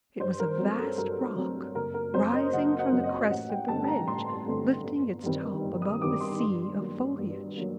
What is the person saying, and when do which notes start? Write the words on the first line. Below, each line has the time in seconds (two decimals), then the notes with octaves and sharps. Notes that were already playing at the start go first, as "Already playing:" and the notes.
It was a vast rock, rising from the crest of the ridge, lifting its top above the sea of foliage.
0.20 G2 C5
0.39 A#4
0.58 F#3 A3 C4
0.78 A4
0.98 G2 A#4
1.36 F#3 A3 C4
1.74 F#1 A#4
1.94 A#4
2.13 F#2 F#3 C4 C5
2.33 D#5
2.52 F#1 F#5
2.78 F#5
2.91 F#2 F#3 C4
3.03 D#5
3.30 A1 F#5
3.49 G5
3.68 G2 D3 A3 C4 A5
3.84 A5
3.88 A#5
4.08 A1 C6
4.46 G2 D3 A3 C4
4.85 G1
5.23 G2 D#3 G3 C4
5.63 G1
5.82 D#6
6.01 G2 D#3 G3 C4 D6
6.20 C6
6.40 G2
6.79 F#3 A#3
7.19 G2
7.57 F#3 A#3